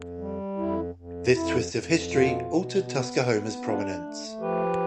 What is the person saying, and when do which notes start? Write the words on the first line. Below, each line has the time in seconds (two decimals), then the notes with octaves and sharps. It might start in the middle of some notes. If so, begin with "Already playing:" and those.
This twist of history altered Tuskahoma's prominence.
Already playing: F2
0.18 G3
0.57 F2 E4
0.95 F2
1.33 F2 E4
1.72 F2
2.10 B2 F4
2.50 B2
2.87 B3
3.26 B3
3.64 D4 F4
4.03 A3
4.40 F3 G4 B4